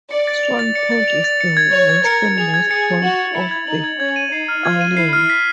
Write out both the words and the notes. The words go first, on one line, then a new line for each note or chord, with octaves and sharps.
Swan Point is the westernmost point of the island.
D5 C#7
A6
F7
A6
D5 C#7
A6
F7
A6
C#7
G#6
C#5 F7
G#6
A#4 C#7
G#6
G#4 F7
G#6
G#4 C#7
G#6
F#4 F#7
G#6
E4 C#7
G#6
D#4 F#7
G#6
C#4 G#6
D#7
D#4 C7
F6
F4 G#6
D#7
E4 C7
F6
B6